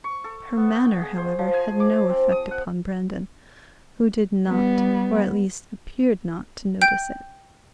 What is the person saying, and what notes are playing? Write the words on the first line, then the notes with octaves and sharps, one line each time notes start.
Her manner, however, had no effect upon Brandon, who did not, or at least appeared not to notice it.
C#6
A4
B3
G5
G#4
C5
F3
G#5
D6
C4
D#6
F#5
G3 B3
G5 G6 D7